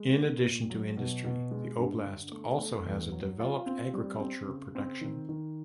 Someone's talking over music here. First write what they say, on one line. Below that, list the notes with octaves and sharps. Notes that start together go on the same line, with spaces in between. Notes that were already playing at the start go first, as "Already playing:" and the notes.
In addition to industry, the oblast also has a developed agriculture production.
Already playing: G#3
A#3
A#2
F#3
B2
B2
G#3
G2
D3
A3
A3
E2
F#3
F4
C4
G3
C4
C#3
C4
D#3
D#3